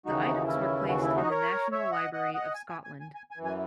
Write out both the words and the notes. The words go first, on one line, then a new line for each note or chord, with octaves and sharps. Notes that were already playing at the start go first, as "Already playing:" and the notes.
The items were placed in the National Library of Scotland.
D#2 C#3 E3 D#4 F#4
C#4 E4
F#4
E4
D#4 F#4
D#5
A#4 C#5
C#5 E5
D#5 F#5
D#5 F#5
D#5 F#5
G#5
G#5
G#5
G#5
G#5
G#5
F#2 E3
G#5